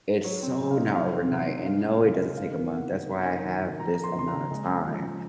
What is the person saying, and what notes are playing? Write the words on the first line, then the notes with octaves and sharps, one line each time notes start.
it's so not overnight and, no, it doesn't take a month, that's why I have this amount of time
F#3 C#5
C4
C3
F5
D#4
F#3 F5
C4
C3
D#4
G#3 F5
C#4
F5
C#3 F5
D#5
C#3
D#3 F5
A#3
C3 F#5
D#4
A#3
D#4
D#3
D#3
F3 A#5
A#3 A#5
C6
C#3 C6
A#5
C#3
G#3
C#4
F3
F3